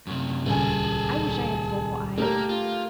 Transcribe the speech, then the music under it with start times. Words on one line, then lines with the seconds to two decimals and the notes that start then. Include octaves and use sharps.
I wish I had soulful eyes.
0.07 F#2 C3
0.46 D#1 C#2 G#4 A4 G#5
2.18 A3 A#3 G4 A#4
2.49 F4